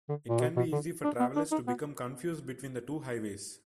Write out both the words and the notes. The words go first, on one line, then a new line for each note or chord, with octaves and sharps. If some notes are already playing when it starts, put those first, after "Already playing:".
It can be easy for travelers to become confused between the two highways.
D3
A#2
B2
B2
D3
D4
B3
D4
D#4
B3